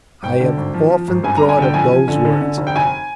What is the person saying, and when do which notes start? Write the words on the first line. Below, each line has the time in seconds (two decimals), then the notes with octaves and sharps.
I have often thought of those words.
0.23 G#1 G5
0.41 D3
0.57 G#1
0.74 F3
0.90 F3
1.08 G#1
1.23 G2 G#5
1.37 G2 A#5
1.49 G#5
1.58 D3 G5
1.74 F3 G#5
1.91 F3
2.08 D3
2.25 D3
2.41 D3
2.58 F1
2.67 G5
2.76 F1 G#5